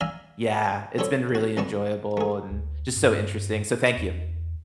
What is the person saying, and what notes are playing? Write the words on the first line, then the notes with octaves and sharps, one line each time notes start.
yeah. It's been really enjoyable and just so interesting, so, thank you.
D5 E5 F5 G#5 A#5
C4 E4 G4 A4 C#5 D5
F#4
C2 D#3 B3 D5 A5 C#6
A3 G#4
D2
G2
E2